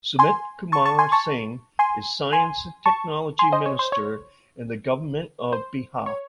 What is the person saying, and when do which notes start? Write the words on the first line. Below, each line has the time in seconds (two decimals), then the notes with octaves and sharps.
Sumit Kumar Singh is Science and Technology minister in the Government of Bihar.
0.19 G#5 C6
0.72 A5 C#6
0.85 A5 C#6
0.99 G#5 C6
1.12 A5 C#6
1.79 G#5 C6
2.32 G#5 C6
2.86 A5 C#6
3.39 G#5 C6
3.52 C5 D#5
3.66 C#5
3.79 C5
3.92 C#5
5.53 C5
6.06 C#5